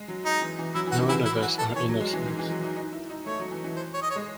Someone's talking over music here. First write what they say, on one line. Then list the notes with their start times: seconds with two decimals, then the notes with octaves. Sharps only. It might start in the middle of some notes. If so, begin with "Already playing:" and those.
None of us are innocent.
Already playing: G#3
0.08 F#3
0.25 D#4
0.42 E3
0.59 E3
0.75 F#3 E4
0.87 E3 F#4
0.98 D#3
1.09 E3 E4
1.26 E4
1.42 F#4
1.58 A4
1.76 E3 C#5
1.88 F#3
2.01 G#3
2.13 E3
2.26 D#3
2.39 E3
2.51 F#3
2.63 D#4
2.76 D#4
2.93 E4
3.10 D#4
3.26 A3 C#5
3.39 F#3
3.51 E3
3.64 E3
3.77 C5
3.94 C#5
4.02 D#5
4.10 C#5
4.16 G#3